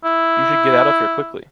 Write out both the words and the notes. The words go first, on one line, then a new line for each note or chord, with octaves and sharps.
You should get out of here quickly.
E4